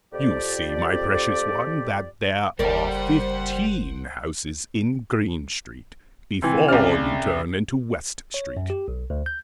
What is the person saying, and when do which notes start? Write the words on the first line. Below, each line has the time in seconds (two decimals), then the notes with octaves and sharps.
"You see, my precious one, that there are fifteen houses in Green Street, before you turn into West Street."
0.12 F2 G4 D5
2.59 F#1 G3 G4 A#4 C5 D5 F#5
6.42 C3 E3
6.68 C2 C#3 D5 F6
8.34 C#5
8.57 F#2
8.70 G4
8.88 B1
9.10 D2
9.26 G6